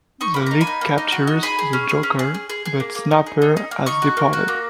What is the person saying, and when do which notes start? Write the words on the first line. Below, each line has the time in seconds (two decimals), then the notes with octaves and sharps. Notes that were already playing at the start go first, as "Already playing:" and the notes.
The League captures the Joker, but Snapper has departed.
0.21 D#4 C#6
0.34 A#3 B5
0.46 D#4 A#5
0.61 G#5 B5
0.67 D#4
0.81 A#3
0.98 D#4
1.12 F#4
1.27 D#4
1.43 G#4 G#5 B5
1.59 G#4
1.73 C#4
1.89 G#4
2.03 C#4
2.19 G#4
2.34 G#4
2.50 G#4
2.65 G#4
2.80 A#3
2.95 A#3
3.11 D#4
3.26 G#4
3.42 D#4
3.57 D#4
3.71 A#3
3.86 D#4 A#5 C#6
4.02 F#4
4.17 A#3
4.33 F#4
4.48 A#3